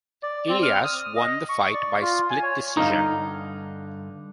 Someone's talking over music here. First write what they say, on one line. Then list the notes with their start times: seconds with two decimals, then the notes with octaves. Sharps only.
Ilias won the fight by split decision.
0.23 D5
0.49 C4
0.63 F6
0.84 D#6
1.16 D#5
1.49 C#6
1.74 D5
2.02 F4
2.30 G#5
2.43 C#5
2.77 G2 D3 D#4 F5